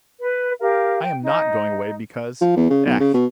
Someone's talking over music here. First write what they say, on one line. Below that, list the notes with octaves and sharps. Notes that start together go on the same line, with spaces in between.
I am not going away because ... ech!
B4
G4 A#4 F5
G5
D#4
F3
E2
C#3
B1
C#3
B2